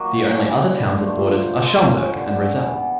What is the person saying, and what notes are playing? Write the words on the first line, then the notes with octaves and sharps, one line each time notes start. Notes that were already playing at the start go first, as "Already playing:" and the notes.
The only other towns it borders are Schaumburg and Roselle.
Already playing: D#3 F#3 A#3
G#2
E3 G3
D3
F3 A3
C3
F3 G#3 C4
F#2
D3 G3 B3
C#3
E3 G3 B3